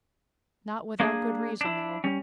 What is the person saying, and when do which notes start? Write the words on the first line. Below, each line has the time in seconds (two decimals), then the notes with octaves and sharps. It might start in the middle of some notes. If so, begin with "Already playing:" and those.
Not without good reason, though.
1.00 A#3 D4 G#4
1.61 D4 E4
2.04 G3 C#4